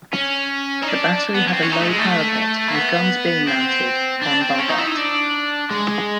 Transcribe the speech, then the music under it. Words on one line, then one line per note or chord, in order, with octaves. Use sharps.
The battery had a low parapet, with guns being mounted "en barbette".
C#4
D#4
D4
B3
C#4
C4
C#4
D#4
A3
G#3
A3
A#3
B3
C4
D4
C4
C#4
D#4
E4
D#4
D4
G#3